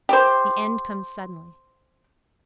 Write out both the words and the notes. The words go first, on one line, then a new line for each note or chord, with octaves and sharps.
The end comes suddenly.
G4 C5